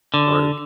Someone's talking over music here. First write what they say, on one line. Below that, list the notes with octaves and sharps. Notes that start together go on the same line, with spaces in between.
are g
D3